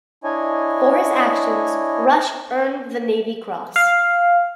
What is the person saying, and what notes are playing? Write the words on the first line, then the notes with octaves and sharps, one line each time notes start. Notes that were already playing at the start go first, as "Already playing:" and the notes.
For his actions, Rush earned the Navy Cross.
D4 E4 C#5 D#5 G#5
F5